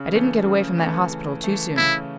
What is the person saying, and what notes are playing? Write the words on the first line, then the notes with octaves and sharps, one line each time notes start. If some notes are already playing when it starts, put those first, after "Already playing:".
I didn't get away from that hospital too soon.
Already playing: C#3
E3 A3
C#3
E3 A3
C#3
E3 A3
C#3 E4